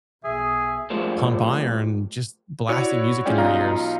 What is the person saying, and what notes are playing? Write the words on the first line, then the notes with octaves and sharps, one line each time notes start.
pump iron just blasting music in your ears.
B1 G#4 E5
A2 F3 G3 G#3 A#3
E4 F#4 C#5 D5
G#3 C#4 F4 D5 G5
B1 D#4 F4 F5 A#5